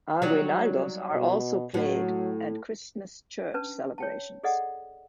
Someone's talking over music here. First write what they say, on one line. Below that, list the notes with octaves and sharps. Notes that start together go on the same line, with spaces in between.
Aguinaldos are also played at Christmas church celebrations.
F#3 G3 D#4
B2
A2 F#3
C#4 D4 B4 A5
C#5 G5 A5
G#4 A4 D5 D#5 F#5